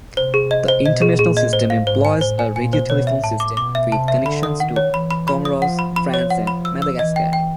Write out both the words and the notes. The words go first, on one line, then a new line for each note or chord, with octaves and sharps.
The international system employs a radiotelephone system, with connections to Comoros, France and Madagascar.
C3 C5
G#4
D#5
C5
B2 D#5
G#4
A#2 G#4
D#5
A2 C5
F5
G#2 C5
G#5
A2 C5
G#5
A#2 G#5
C5
B2 C#5
E5
A2 A5
D6
B2 D6
E5
C3 A5
E5
D3 B5
D#6
D#3 F#5
C#5
E3 B5
B5
F3 B5
D#6
F3 F#5
B5
F3 B5
C#5
F#5
B5
E6
E6
E3 D#5
G5
G5